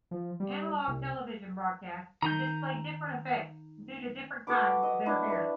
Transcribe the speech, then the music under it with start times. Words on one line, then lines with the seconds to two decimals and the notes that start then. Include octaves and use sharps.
Analog television broadcasts display different effects due to different kinds of interference.
0.11 F3
0.40 G3
0.87 C2
2.22 D#3 A#5 G6
4.47 F#4 A4 B4 D6
4.83 D#5
5.05 A3 D4 E4 C6
5.30 B4